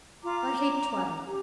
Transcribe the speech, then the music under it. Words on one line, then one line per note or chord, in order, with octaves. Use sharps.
I hate twaddle.
F4 A#5 D6
C#5
C#4
G4